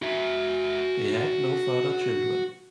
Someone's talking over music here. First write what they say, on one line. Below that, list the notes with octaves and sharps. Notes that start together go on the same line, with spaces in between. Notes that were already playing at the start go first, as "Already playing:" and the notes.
They had no further children.
F#4 E5